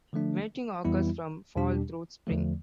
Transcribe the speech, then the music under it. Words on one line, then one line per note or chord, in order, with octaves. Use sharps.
Mating occurs from fall through spring.
D3 F3 A3 D4
F2 E3 G3 B3 E4
E2 B2 G3 D4 G4
E2 D3 F3 A3